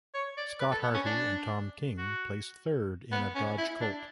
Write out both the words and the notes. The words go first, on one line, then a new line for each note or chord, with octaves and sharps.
Scott Harvey and Tom King placed third in a Dodge Colt.
C#5
D5
B4
A4
B3
C#4
D4
F#4
B3
C#4
E4
D4